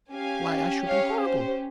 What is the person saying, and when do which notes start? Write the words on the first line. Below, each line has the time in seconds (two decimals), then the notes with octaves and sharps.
Why, I should be horrible!
0.12 C#4 G4 F5 G#5
0.84 C#5 F5
1.21 C5